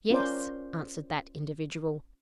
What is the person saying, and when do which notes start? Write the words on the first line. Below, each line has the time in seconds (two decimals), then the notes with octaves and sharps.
"Yes," answered that individual.
0.10 C#4 F4 A#4 C5 D5